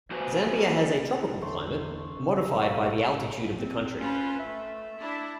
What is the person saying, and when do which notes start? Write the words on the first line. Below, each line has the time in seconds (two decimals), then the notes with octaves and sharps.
Zambia has a tropical climate, modified by the altitude of the country.
0.11 A#3 F#4 B4 C5 G#5
1.13 C#4 A#4 B4 A5
1.42 E2 D3 A3 C6
2.09 C#3
2.61 B2 G3 A4 C#5 F5
3.58 C4
4.00 C#4 F4 B4 C5
4.39 A3 E5
4.98 D4 E4 A5